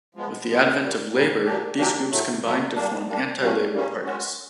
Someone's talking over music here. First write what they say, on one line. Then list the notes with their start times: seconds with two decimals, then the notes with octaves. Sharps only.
With the advent of Labor, these groups combined to form anti-Labor parties.
0.15 F3 G#3 B3
0.48 F3 G#3 B3
0.79 A#2 G3 A#3
1.12 A#2 G3 A#3
1.45 F#3 A#3 D4 G4
1.77 F#3 A#3 D4 G4
2.10 A2 F#3 A3
2.43 A2 F#3 A3
2.75 G3 A#3 D4
3.07 G3 A#3 D4
3.40 B2 G3 A#3 C#4
3.72 B2 G3 A#3 C#4
4.05 G#3 C#4 F#4